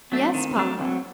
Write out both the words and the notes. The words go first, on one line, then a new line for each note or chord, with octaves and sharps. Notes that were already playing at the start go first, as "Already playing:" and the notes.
"Yes, papa."
F#3 A3 C4 D4
D#3
F#3 A3 D4
F#3 C4